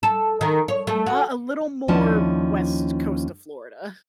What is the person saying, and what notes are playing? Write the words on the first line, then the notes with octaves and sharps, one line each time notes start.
Uh, a little more West Coast to Florida
A4
D#3
C#5
A3
F#4
D#2 F3 C#4 D4 E4 A5